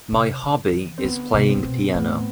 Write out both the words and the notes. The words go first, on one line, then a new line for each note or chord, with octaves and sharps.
My hobby is playing piano.
C3
D3
E3
C4
D3 B3
C3
C4
A2
B2
A2 B3